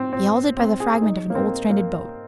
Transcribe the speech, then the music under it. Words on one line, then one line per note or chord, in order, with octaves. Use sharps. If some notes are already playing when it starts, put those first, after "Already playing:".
He halted by the fragment of an old stranded boat.
Already playing: C4
C4
C4
G#4
D#4
A#3
C4
A#3